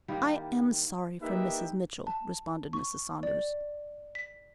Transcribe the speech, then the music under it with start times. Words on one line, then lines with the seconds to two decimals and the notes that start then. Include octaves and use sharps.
"I am sorry for Mrs. Mitchell," responded Mrs. Saunders.
0.08 D#3 G3 A#3 E4
1.22 A#3 D#4 G4 B4 E5 G5
2.07 A5
2.73 C#6
3.23 D5
4.15 B6